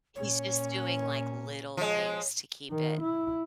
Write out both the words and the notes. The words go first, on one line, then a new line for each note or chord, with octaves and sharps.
He's just doing, like, little things to keep it
A#2 C#4 C#5
F3 G#3 C#5
D#3
E4